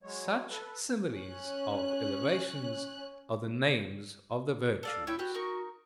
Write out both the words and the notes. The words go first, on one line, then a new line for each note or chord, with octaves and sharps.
Such similes of elevations are the names of the virtues.
F#3 G#3 C#5
A4 B4
C#4 F#6
A4 D5 F5
E4 C#5 E5 G5
B3 F#4 G4 F#6
D#4 A#4 C#6